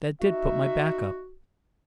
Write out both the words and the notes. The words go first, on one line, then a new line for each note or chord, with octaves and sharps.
That did put my back up.
D#4 F#4 E5